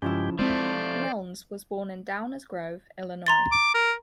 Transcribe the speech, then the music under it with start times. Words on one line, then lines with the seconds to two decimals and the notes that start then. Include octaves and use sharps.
Milnes was born in Downers Grove, Illinois.
0.02 G2 C#3 F3 G#3 E4 G4
0.39 F3 G#3 A3 C4 E4 C5 D5
3.26 A#5 C6 A6
3.52 D6
3.74 A#4